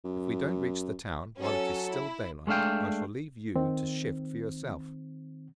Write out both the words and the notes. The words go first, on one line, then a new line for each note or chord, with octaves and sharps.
If we don't reach the town while it is still daylight I shall leave you to shift for yourself.'
F#2
F#3 C#4 A4
E4
G#3 A3 D4 F5 G5
D#3 C4